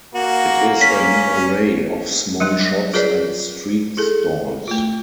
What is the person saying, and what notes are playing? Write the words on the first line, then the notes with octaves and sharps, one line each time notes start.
It is an array of small shops and street stalls.
A#3 F#4
C#4 B6
F#3 G3 D4
F4 G#4 A#4 B4 C#5 D5
E4 G#4 A4
A3 F4